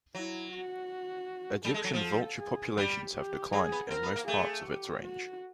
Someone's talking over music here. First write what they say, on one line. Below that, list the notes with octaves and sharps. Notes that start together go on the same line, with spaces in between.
Egyptian vulture populations have declined in most parts of its range.
F#3 E4
F#4
G3 A4
G#3
F#3
F3
A4
G#4
G3 G4
G4
F#3 G#4
B3
C4 A#4
B3
A#3
A3 G#4
G4
F#4